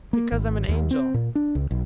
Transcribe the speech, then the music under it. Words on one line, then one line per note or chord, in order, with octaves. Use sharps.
"Because I'm an angel."
A#3
G#1
D#2
C4
A#2
D4
C#2
B1